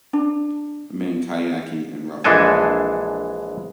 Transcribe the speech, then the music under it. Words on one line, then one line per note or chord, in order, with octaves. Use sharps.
A man kiyaking in rough water.
D4
A#1 E3 G#3 D4 A4 G#5